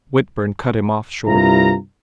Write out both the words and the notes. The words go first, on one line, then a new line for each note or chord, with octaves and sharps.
Whitburn cut him off short.
C2 G2 E4 F4 A#5